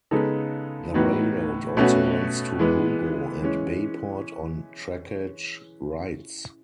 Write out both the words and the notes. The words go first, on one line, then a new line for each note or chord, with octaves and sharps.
The railroad also runs to Hugo and Bayport on trackage rights.
C#3 G#3 B3 D#4 A4
A2 E3 B3 D#4 F#4
B2 A3 C#4 F#4 B4
E3 G#3 B3
E3 G#3 C#4